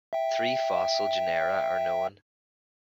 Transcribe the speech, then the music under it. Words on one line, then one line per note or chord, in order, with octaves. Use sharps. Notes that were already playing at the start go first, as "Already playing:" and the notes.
Three fossil genera are known.
E5 G5